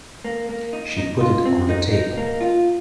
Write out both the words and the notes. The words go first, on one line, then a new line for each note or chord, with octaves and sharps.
She put it on the table.
A#3
A#3
D#4
D#4
F4
C4
D#4
D#4
A#3
F4